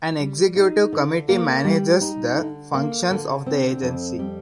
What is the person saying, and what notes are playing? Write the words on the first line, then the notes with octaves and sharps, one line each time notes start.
An executive committee manages the functions of the agency.
G3
D#4
D3
A#3
G3
D#4
D3
A#3
D3
C4
F2
G3